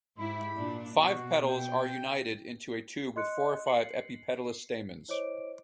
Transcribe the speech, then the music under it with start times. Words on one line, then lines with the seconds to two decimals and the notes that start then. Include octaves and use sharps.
Five petals are united into a tube with four or five epipetalous stamens.
0.18 G#2 E4 G4 B5
0.56 A#2 D4
0.98 B2 F#4
1.47 G5
3.16 D#5 C6 F#6 C#7
3.67 C7 C#7 F#7
5.08 E4 C5 C#5 D#5 D6 D7